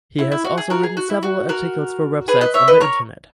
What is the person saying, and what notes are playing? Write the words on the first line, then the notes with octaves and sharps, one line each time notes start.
He has also written several articles for websites on the Internet.
E4
E4
F#4
G#4
F#4 A#4
G#4
F#4
E4
F#4
F#4 A#4
G#4 B4
B4 D#5
C#5 E5
B4 D#5
A#4 C#5